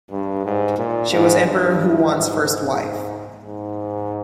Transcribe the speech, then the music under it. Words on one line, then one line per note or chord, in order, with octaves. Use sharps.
She was Emperor Huan's first wife.
G2
G#2
A#2
G#2
G2
G#2
G#2
G#2